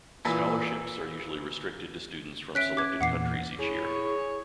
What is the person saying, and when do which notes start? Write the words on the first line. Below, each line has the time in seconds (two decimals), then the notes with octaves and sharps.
Scholarships are usually restricted to students from selected countries each year.
0.25 A#2 E3
2.55 C#4 E5 F#6 B6 D7
2.77 D6 G#6
3.01 E2 A#2 E3 F#5 D6 C7
3.59 E4 G#4 C#5